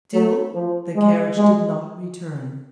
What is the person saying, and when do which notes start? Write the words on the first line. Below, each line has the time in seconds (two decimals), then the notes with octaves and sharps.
Still, the carriage did not return.
0.13 F#3
0.54 F3
0.96 G#3
1.37 G#3